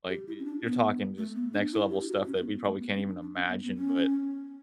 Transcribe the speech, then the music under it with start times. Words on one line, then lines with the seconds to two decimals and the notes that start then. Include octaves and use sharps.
like, y you're talking just next level stuff that we probably can't even imagine. But
0.09 G4
0.28 E4
0.39 C#4
0.45 D4
0.64 B3
1.18 A3
1.35 B3
1.53 D4
1.73 E4
1.90 G4
2.09 F#4
2.27 C#4
2.40 B3
2.53 B3
2.67 A3
2.81 B3
2.95 C#4
3.08 D4
3.21 D4
3.35 C#4
3.49 B3
3.63 B3
3.77 C#4